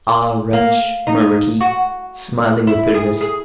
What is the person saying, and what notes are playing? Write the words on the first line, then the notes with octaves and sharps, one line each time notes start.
"Ah! wretch!" murmured he, smiling with bitterness.
A#3
D#4
F#4
E4
G#4
G#4